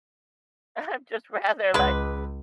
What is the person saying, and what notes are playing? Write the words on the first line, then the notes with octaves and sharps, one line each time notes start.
I'm just rather, like,
C#2 G#3 B4